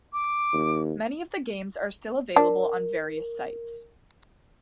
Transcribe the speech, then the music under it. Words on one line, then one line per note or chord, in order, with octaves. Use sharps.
Many of the games are still available on various sites.
D6
D#2
D4 A#4